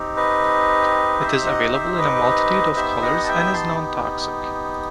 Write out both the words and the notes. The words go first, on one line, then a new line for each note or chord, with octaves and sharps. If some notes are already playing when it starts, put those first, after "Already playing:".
It is available in a multitude of colors and is non-toxic.
Already playing: C4 D#4 G4
B4 D#5
C5 E5
D#5 F#5
C5 E5
B4 D#5
B3 D#4 G4 C5 E5
D#5 F#5
A5
E5 G5
A5 C6